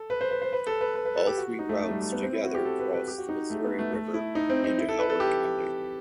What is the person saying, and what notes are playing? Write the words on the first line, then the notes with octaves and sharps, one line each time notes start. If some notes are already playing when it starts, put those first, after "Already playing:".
All three routes together cross the Missouri River into Howard County.
Already playing: A4
B4
C5
B4
C5
B4
A4
B4
B4
B4
A4
G4
F#4
D#4
A3
A3
G3
A3
B3
C4
E4
F#4
G4
A4
B4
B4
G4
F#4
D#4
A3
B3
A3
A3
E4
D#4
C4
D#4
E4
A4
B4
A4
G4